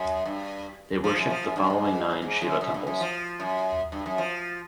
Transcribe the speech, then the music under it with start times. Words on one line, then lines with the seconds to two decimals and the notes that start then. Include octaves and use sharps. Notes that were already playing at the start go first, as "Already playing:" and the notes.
They worshipped the following nine Shiva temples.
Already playing: F#2
0.25 G2
1.04 F3
1.16 F#2
1.30 F3
1.43 F#2
1.56 G2
1.70 G#2
2.22 G#2
2.41 F#2
2.61 F#2
2.74 G2
2.87 F#2
3.01 F3
3.40 F#2
3.92 G2
4.06 F#2
4.18 F3